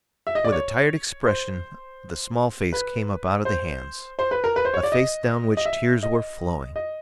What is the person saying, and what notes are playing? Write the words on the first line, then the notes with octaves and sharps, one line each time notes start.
With a tired expression the small face came up out of the hands,--a face down which tears were flowing.
E5
D#5
D5
C#5
C5
B4
C5
C5
B4
A#4
B4
C5
C#5
D5
D#5
D#5
E5
D#5
D#5